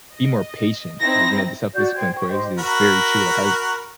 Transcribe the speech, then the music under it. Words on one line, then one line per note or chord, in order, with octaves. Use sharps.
be more patient, like, you know, the self-discipline place is very true, like, I
D#5
C4 D#4 E4 A#6
F#4 D5 G6
C5 G5 G#6
G5 C#6
G4 C5 D#5
F#4 A#4 B5